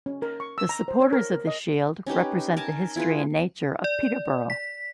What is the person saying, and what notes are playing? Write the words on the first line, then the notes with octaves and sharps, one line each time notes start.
The supporters of the shield represent the history and nature of Peterborough.
C#4
A#4
C#6
E6
A#5
C5
C#5
A#4
A#4
D#5
C#4 D#4 G4 B4
A#4 G#5 A5
E4 F4 G#4 B4
D5
B6